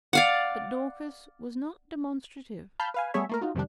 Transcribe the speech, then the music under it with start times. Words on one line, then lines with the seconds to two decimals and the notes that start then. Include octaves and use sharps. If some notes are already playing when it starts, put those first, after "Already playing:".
But Dorcas was not demonstrative.
0.13 D5 F5 F#5
2.80 F5 A5 B5 F6 G6
2.94 B4 F5 G#5
3.14 G3 A3 B3 G#4 C#5 E5
3.29 A3 A#3 A#4
3.41 D#4 F4 F#4
3.55 F2 C3 D#3 G3 D4